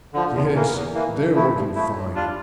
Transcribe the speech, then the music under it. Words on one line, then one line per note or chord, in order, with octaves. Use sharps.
Yes, they're working fine.
D3 F3
E2
E3 A#3
E2
E3 A#3
G2
F3 A3 E4
G2
F3 A3 E4
A2
G3 D4 F4